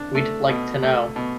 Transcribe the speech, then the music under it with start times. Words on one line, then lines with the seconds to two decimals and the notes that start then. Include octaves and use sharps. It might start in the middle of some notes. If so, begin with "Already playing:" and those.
We'd like to know.
Already playing: D4
0.15 A3
0.49 B2
0.83 A3
1.16 B2